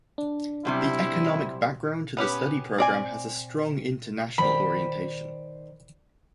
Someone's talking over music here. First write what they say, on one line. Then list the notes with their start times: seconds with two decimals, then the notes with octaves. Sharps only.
The economic background to the study program has a strong international orientation.
0.18 D4
0.65 F#2 C3 G3 E4
2.17 B3 C#4 G4 B4
2.78 C4 D5 G#5
4.38 D#3 C5 D5 B5